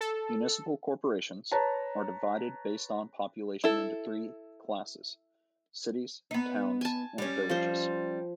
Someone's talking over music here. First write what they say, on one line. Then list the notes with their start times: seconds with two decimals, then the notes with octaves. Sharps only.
Municipal corporations are divided based on population into three classes: cities, towns, and villages.
0.01 A4
1.52 B4 C#5 A5 A#5
3.64 E4 A4
6.31 B3 D#4
6.81 G#5 A5
7.18 G3 C#4
7.50 F3 C5